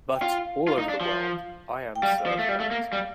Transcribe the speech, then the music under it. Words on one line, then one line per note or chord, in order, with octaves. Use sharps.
But, all over the world, I am served that.
G5
F4 F5
F4
D#4
D4
F3
G5
G3 F5
F5
F3
F5
A3
G3
A3
A#3
G3